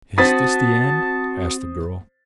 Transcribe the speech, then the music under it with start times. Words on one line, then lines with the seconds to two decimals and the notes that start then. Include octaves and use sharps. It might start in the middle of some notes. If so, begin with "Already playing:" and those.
"Is this the end?" asked the girl.
0.18 C4 F#4 C5 A5 D#6 A6 B6